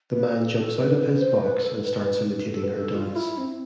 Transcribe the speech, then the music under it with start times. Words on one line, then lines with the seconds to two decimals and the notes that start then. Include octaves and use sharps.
The man jumps out of his box and starts imitating her dance.
0.12 B4
0.34 A4
0.56 A4
0.77 B4
0.99 B4
1.20 C5
1.42 B4
1.57 B4
1.64 A4
1.85 B4
2.08 B4
2.50 A4
2.63 B4
2.72 A4
2.95 F4
3.15 E4
3.37 C4